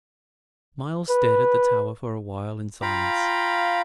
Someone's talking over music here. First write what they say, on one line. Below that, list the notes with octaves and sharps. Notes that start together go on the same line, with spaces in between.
Myles stared at the tower for a while in silence.
B4
F4 F5 G5 A#5 B5